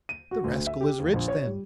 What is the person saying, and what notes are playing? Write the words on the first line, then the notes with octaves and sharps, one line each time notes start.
"The rascal is rich, then?"
D#7
F#4
D2
E5
G4
D#2
A#1
C#5
G3